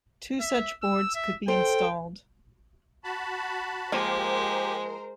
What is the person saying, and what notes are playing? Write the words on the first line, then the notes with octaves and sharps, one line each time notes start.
Two such boards could be installed.
E5
E6
E5
A4 C5 G5
F#4 A5 B5
F3 G#3 A#3 G4 A#4 C5